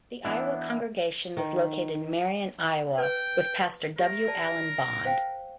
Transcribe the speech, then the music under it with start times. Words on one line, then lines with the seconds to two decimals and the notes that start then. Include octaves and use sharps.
The Iowa congregation was located in Marion, Iowa with pastor W. Allen Bond.
0.25 E3 B3 D4 E4
1.37 D#3
2.98 B4 G5
3.98 G4 A#4 E5
4.27 D5 A5
5.05 C5 F5 G5